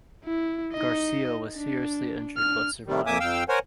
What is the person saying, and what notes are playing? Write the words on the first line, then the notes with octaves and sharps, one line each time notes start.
Garcia was seriously injured but survived.
E4
D#4 D#5
D4
D4 F6
C3 D#3 G3
F2 A#3 E5 G#5 D6 D#6
F2 F5 G5 E6
A#4 C5 C#5 F#5 G#5